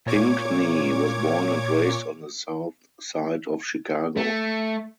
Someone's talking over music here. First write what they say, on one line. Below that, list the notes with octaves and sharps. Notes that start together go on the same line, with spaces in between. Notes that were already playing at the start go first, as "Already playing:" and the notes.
Pinkney was born and raised on the South Side of Chicago.
A#2 C#5 D6 G#6
A3